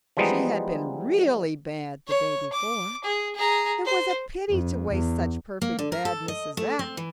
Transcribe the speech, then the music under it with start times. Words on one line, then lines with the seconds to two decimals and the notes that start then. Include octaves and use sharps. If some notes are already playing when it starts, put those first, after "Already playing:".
She had been really bad the day before; it was a pity to waste such perfect badness as that.
0.17 E3 F3 G3 G#3 B3 D#4
2.07 C#5
2.53 D6
3.04 G#4
3.35 G#4 A#5
3.85 C5
4.49 F2
4.90 E2
5.62 A#3
5.79 D3
5.92 A#4
6.05 A4
6.28 D#5
6.57 A3
6.79 C4
6.97 E3